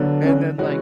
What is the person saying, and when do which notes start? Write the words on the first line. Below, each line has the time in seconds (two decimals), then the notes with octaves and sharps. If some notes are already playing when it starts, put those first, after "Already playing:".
and then, like
Already playing: D3 F#3 B3 D4
0.24 C#4
0.58 C#3 E3 G#3 C#4 F#4